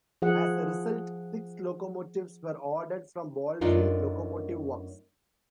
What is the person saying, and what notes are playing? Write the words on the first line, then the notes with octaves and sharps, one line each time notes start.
As a result, six locomotives were ordered from Baldwin Locomotive Works.
F3 G#4 F#5
F#2 A3 D4 D#4 F4 A#4